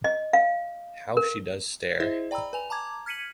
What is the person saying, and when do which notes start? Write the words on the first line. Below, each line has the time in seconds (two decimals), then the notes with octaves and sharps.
How she does stare!
0.04 D#5
0.33 F5
1.17 A#4
2.00 E4 G#4 C5 D#5 E5
2.31 D5 G5 A#5 B5 E6
2.53 B4 G#5 F7
2.70 A5 A#5 D6 G#6
3.06 F6 G#6 B6 C#7 D#7 F#7